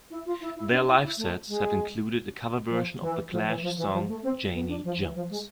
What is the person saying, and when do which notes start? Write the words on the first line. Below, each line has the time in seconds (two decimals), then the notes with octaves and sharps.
Their live sets have included a cover version of The Clash's song, "Janie Jones".
0.10 E4
0.26 F4
0.41 E4
0.56 E4
0.71 D4
0.87 E4
1.02 E4
1.17 A3
1.48 G#3
2.69 F3
3.00 E3
3.31 F3
3.47 E3
3.61 F3
3.77 E3
3.92 F3
4.08 A3
4.22 C4
4.53 B3
4.68 D4
4.84 F3
4.99 E3
5.14 F3
5.29 G#3